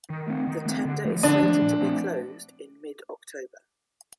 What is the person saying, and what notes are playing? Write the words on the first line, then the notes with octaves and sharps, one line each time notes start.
The tender is slated to be closed in mid-October.
D#3
A3 C4
D#3
A3 C4
D3
F3 A3
D3 D4
F3 A3
A#2
F3 A3 C4